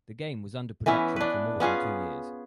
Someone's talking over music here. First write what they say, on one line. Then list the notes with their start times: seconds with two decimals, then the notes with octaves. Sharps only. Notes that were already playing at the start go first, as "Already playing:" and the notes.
The game was under production for more than two years.
0.86 E3 B3 C#4 E4
1.16 D4 B4
1.60 B3 C#4 F4 G#4